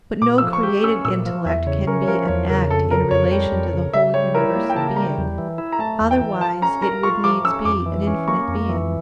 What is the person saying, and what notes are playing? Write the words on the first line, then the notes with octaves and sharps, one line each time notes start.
But no created intellect can be an act in relation to the whole universal being; otherwise it would needs be an infinite being.
A#2 D6
E6
F3
C#6
G4
C#4 E6
A#2 E6
F3
E2 E5
C#3 C#5
C#4 A#4
C#5
F3 A#4
E2 C#5
C#3 A#4
F2 A4
C#3 A#4
F2 C#5
G3
F2
C#3
C#3 E5
G3 C#5
E4 A#4
A#3
G5
C#3 A5
G3 A#5
E2
E3
E4
A#5
A3 A5
E2
G5
E3
F3 A5
C#4 A#5
A#4 A#5
F4 C#6
F3 D6
C#4 E6
F2 D6
E3
C#4
A#3 C#6
F2
E3